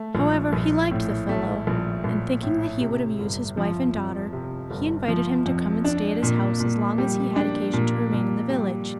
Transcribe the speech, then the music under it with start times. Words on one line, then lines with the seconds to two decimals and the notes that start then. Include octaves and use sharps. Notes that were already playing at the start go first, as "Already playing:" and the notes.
However, he liked the fellow; and thinking that he would amuse his wife and daughter, he invited him to come and stay at his house as long as he had occasion to remain in the village.
Already playing: A3
0.15 A#1
0.53 A#1
0.91 A2
1.29 A3
1.67 A#1
2.04 A#1
2.43 A2
2.81 C3
3.19 G1
3.57 F3
3.95 F2
4.33 C3
4.70 G1
5.08 F3
5.46 F2
5.84 D4
6.23 A#2
6.60 A#2
6.98 G3
7.36 D4
7.73 A#2
8.13 A#2
8.50 G3